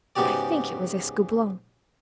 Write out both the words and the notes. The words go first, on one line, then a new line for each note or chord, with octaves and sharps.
I think it was Escoublon.
G#2 C#3 B3 F#4 G4 D5